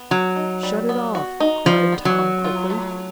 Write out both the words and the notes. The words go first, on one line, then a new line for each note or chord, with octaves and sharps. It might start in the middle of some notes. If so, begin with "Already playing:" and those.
"Shut it off!" cried Tom quickly.
Already playing: B3
F#3 F#4
D#4
G3
B3
F#4
D#4
F3 G3
B3
F#3
F#4
F4
A3